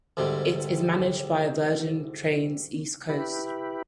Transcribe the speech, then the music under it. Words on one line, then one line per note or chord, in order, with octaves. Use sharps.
It is managed by Virgin Trains East Coast.
D2 G#2 C3 G3
E4 G4 B4